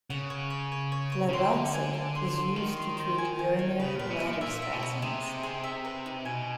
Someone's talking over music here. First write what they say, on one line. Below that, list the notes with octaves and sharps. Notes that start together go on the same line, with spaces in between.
Flavoxate is used to treat urinary bladder spasms.
C#3 F#5
C#5
C#5
C#5
C#5
C#5
C#3
D3 C6
F5
G#5
F5
C6
C6
D#3 F5
C6
C5
G#5
G#5
G#5
C#3 B4
A#2 B4
B2
A#2 D#4
A#2 E5
E5
B2
D#4
C3 G#4
D#4
G#4
E5
B4
D#4
B2 G#5